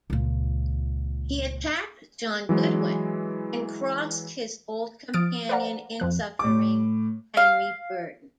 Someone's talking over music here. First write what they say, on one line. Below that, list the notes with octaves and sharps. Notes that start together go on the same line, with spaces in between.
He attacked John Goodwin and crossed his old companion in suffering, Henry Burton.
C#2 A#2
E3 F#3 G#3
F3 D#6 F6 A6 D7
B4 C5 D5 F5 F#5 A#5
F2 F3 F#6
A2 D6
F5